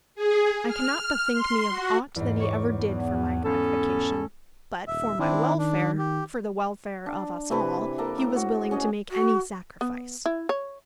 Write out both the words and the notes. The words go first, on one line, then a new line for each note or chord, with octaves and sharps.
I cannot bethink me of aught that he ever did for my gratification; but for my welfare,--for the welfare of us all,--he was willing to make any sacrifice.
G#4
F6
C6
F#4
E2 G#2
C#5 C#6 D6
E2
B3 C#4 A4
D#1 E5
D#3 C4 D4 E4
D4
G4
D4
C3 E3 B4
A#3 A4
A2
F#4
C#4 G#4 D#5
F#4
B3
E4
C#5